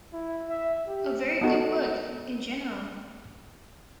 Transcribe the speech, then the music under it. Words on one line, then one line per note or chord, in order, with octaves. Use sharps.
A very good book, in general.
E4
E5
G4
B3 D#4 F#4 A4